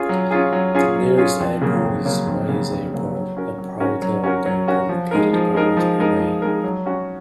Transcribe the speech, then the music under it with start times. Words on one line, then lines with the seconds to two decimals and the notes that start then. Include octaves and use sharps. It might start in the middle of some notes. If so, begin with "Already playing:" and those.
The nearest airport is Mayes Airport, a privately-owned airport located about away.
Already playing: C#4 F4 G#4
0.09 F#3
0.31 C#4 F4 G#4
0.53 F#3
0.75 C#4 F4 G#4
0.96 F#3
1.18 C#4 F4 G#4
1.40 F2
1.61 C#3 F#3 A#3
1.83 F2
2.05 C#3 F#3 A#3
2.27 F2
2.49 C#3 F#3 A#3
2.71 F2
2.93 C#3 F#3 A#3
3.15 F#3
3.37 C#4 F#4 A#4
3.58 F#3
3.80 C#4 F#4 A#4
4.02 F#3
4.24 C#4 F#4 A#4
4.46 F#3
4.68 C#4 F#4 A#4
4.89 F3
5.11 G#3 D#4 A#4
5.33 F3
5.54 G#3 D#4 A#4
5.77 F3
5.98 G#3 D#4 A#4
6.20 F3
6.42 G#3 D#4 A#4
6.64 F#3
6.86 C#4 F#4